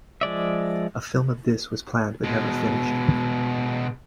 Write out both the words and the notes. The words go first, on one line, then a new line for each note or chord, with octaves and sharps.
A film of this was planned but never finished.
F3 G#3 D5 E5
B2 G#3